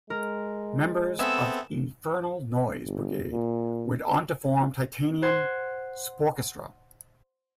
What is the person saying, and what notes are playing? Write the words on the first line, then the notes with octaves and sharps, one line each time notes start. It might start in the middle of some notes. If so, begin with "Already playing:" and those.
Members of Infernal Noise Brigade went on to form Titanium Sporkestra.
G#3 A#4
B3 C4 G#4 A4 E5 E7
G1
A#2
C5 F#5 C6 G#6